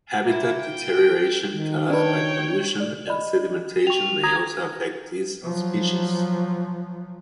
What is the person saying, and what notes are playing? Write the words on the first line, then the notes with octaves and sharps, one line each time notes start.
Habitat deterioration caused by pollution and sedimentation may also affect this species.
A#3 E4
G5
D#3
D4 B4 C#5 G5
D5
D5 D#5 B5
G5 C#6 F7
A#5 D#6 G#6 A#6
F3 F#3